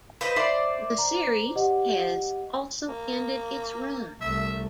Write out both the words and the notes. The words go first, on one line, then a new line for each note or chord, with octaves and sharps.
The series has also ended its run.
B4 C5 D#5 F5
C5 D5 E5 C6
A#5
G4 D#5 F#5
A#3
C2 A3 E5